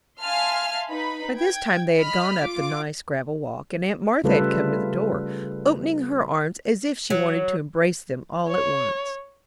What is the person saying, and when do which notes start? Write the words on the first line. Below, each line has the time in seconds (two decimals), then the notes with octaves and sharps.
By this time they had gone up the nice gravel walk, and aunt Martha had come to the door, opening her arms as if she wanted to embrace them all at once.
0.20 E5 F5 G#5 A5 C6 F6
0.89 D#4 B4 B5
1.36 G5 G#6
1.98 D#5 B5 F6 B6
2.41 F4 D6
4.24 C#3 G3 A3 F4 A4 B4
7.10 F#3
8.48 C#5